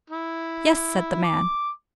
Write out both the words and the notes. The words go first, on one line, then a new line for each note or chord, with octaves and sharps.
"Yes," said the man.
E4
D6